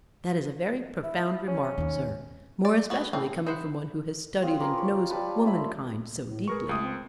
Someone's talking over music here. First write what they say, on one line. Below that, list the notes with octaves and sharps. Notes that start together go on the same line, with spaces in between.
"That is a very profound remark, sir!--more especially coming from one who has studied and knows womankind so deeply."
E4
C#4
D#2 D#4
D5
B3 F#4
A2 C#3 E3 C4
D#4 E4 C5 F#5
C4 F4 D#6
G#4 A#4 B4 D6
C#5
G3 B4 A5
C5 C#5 E5 B5
A2
G#4 A#4 B4 C#6
C#2 A3 D#6
C4